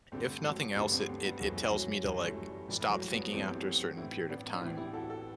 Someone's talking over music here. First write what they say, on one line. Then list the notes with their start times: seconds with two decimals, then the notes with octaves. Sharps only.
if nothing else, it it it tells me to, like, stop thinking after a certain period of time.
0.12 G2 D3 A3 C4
0.44 F#3 A3
0.76 G2 D3 G3 B3
0.92 A3 C4
1.08 A3 C4
1.25 G3 B3
1.40 F#2 E3 F#3 A3
1.72 F#3
2.04 F#2 E3 G3
2.26 F#3 A3
2.48 G3
2.68 G2 E3 G3
2.90 F#3 A3
3.11 G3 B3
3.33 G2 E3 A3 C4
3.55 A3 C4
3.97 A2 E3 C4 E4
4.29 B3 D4
4.53 D4
4.61 A2 E3 C4 E4
4.77 E4 G4
4.93 F#4 A4
5.09 F#4 A4